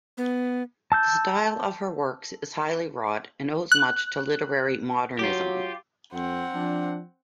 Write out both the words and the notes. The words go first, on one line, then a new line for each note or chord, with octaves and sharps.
The style of her works is highly wrought and owes much to literary modernism.
B3
A5 E6 G6
F#6
F#3 F4 G4
F2 C4 F#5
F3 D4